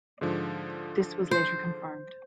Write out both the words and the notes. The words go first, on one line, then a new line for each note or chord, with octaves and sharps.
This was later confirmed.
G#2 D3 F3
C5